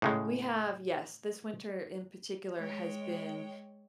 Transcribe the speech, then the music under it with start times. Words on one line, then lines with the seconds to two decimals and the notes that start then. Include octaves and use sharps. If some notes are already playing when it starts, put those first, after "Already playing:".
We have yes, this winter in particular has been,
0.02 A2 C#3 G#3
2.58 G#3 C#5 G5